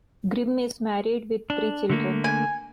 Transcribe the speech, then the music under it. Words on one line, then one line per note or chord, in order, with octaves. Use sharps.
Grimm is married, with three children.
D4
D3 A3 A#3
G#5